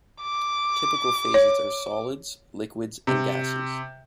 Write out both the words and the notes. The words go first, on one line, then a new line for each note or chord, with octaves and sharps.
Typical phases are solids, liquids and gases.
D6
C#5
C3